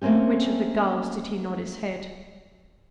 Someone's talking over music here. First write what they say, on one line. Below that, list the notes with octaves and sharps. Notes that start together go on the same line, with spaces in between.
To which of the gulfs did he nod his head?
A3 A#3 C4 C#4 G4